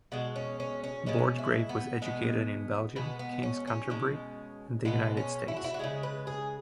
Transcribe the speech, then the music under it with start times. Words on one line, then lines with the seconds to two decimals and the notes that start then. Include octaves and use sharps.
Borchgrave was educated in Belgium, King's Canterbury, and the United States.
0.12 B2 G#3 F#4
0.36 C#4
0.60 C#4
0.84 C#4
1.06 B2 G#3 C#4
1.38 E4
1.69 B3
2.02 B2 G#3 B3
2.96 B2 G#3 B3
3.19 B3
3.43 C#4
3.67 C#4
3.90 B2 G#3
4.85 B2 G#3 B3
5.17 C#4
5.48 E4
5.57 F#4
5.64 E4
5.74 F#4
5.79 C#3 G#3 G#4
6.03 B4
6.27 G#4